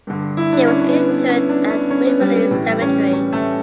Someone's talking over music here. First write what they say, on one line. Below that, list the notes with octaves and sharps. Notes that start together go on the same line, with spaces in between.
He was interred at Waverley Cemetery.
G2 D3
E4
D4
C#4
C#4
B3
B3
C#4
D4
C#4
C#4
B3
G3
G3
A2 E3
G3
C#4
C#4
A3